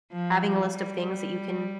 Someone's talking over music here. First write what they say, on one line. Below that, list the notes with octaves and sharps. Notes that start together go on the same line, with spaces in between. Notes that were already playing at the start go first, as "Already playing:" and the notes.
having a list of things that you can,
F3
G3